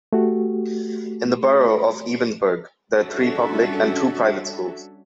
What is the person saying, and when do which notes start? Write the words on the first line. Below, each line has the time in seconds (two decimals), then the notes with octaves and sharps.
In the borough of Ebensburg, there are three public and two private schools.
0.13 A3 F#4 G4
2.96 G3 C#4 D4 F#4 A4 E5